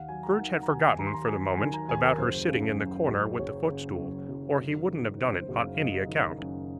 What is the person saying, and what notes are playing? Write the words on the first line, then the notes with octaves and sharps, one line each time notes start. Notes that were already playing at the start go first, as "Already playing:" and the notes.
Scrooge had forgotten, for the moment, about her sitting in the corner with the footstool, or he wouldn't have done it on any account.
Already playing: D#2 F5 F#5
F#3 G#5
A#5
F#5
D#3 F5
F#5
A#5
D#2 G#5
G#5
D#2 A#5
C6
A#5
F#3 G#5
D#3 G#5
A#5
D#2 G#5
A#4
F#1 C5
C#3
F#2
F#1
F#1 C#5
C#3
F#2
F#1
F#3
D#3
F#2 C5
C5
F#1
F5
F5
F#3 D#5
D#3
F#2